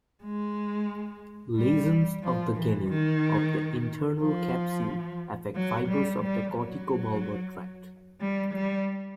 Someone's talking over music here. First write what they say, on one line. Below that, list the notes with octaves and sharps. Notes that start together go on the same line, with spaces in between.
Lesions of the genu of the internal capsule affect fibers of the corticobulbar tract.
G#3
G3
F3
E3
D#3
F3
F#3
G3
G3
F#3
G3
G3